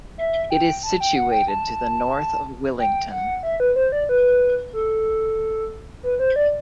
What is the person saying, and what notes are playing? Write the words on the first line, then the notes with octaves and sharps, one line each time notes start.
It is situated to the north of Willington.
E5
G5
A5
G5
F#5
G5
A5
G5
F#5
E5
B4
C5
D5
B4
A4
B4
C5
D5